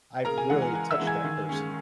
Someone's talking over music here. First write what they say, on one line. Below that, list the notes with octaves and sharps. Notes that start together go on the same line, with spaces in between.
I've really touched that person.
C#3 A#4 A#5
G#5
E3 G#3 F#5
G#5
C#3 G#5
E5 E6
E3 G#3
G#5 G#6
D#3
G#3 C#4